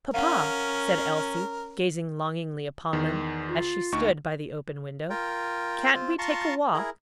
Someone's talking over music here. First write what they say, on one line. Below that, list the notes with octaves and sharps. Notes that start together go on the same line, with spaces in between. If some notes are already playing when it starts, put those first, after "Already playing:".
"Papa," said Elsie, gazing longingly upon them, as she stood by the open window, "can't we take a walk?"
C#4 A#4 F5 F#5
E2 D#3
F4
D2 D#4 C#6
F4 A#4 G5
C4 F4
F4 A5 A#5 C6 C#6
E4 G#4 A#4